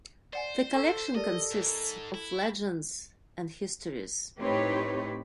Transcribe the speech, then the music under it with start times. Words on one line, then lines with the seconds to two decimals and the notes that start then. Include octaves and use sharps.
The collection consists of legends and histories.
0.33 C5 D5 F#5 G#5
0.74 A4 C#6 E6
1.16 G4 A4 A#4 D5 D#5
1.51 G#2 A#4
2.14 E4
4.38 A2 C4 D#4 G4 B4 C#5